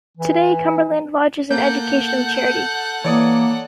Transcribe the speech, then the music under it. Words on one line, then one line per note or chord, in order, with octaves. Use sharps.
Today Cumberland Lodge is an educational charity.
E3
A#3 A4 F#5 G6
E3 A#3 C#5 D5 D#6